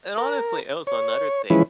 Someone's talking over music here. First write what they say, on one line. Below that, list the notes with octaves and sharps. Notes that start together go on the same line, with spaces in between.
And, honestly, it was another thing.
A#4
C#5
E3 F3 G#3 C#4 E4 B4